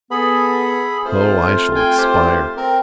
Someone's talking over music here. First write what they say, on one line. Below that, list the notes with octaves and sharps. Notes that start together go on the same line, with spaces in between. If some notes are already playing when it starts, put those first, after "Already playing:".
O, I shall expire!
B3 G#4 A4 B5
A3 C4 F4 C5
G5 G#5
G4 C5
C4 A#4